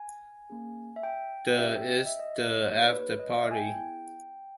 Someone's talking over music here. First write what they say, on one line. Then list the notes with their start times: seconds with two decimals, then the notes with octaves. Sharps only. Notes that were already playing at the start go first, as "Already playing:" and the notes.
The is the afterparty.
Already playing: G#5
0.50 A#3 C#4 G#4
0.96 E5
1.03 G5
1.58 C#4 G4 E5
1.76 G5
1.93 D#5
2.06 E5
2.19 D#5
2.65 A#3 D#4 G4 C#5
2.80 B4
2.93 B4
3.07 C#5
3.19 D#5
3.37 E5
3.51 G#5
3.56 G5
3.74 B3 E4 G#4 G5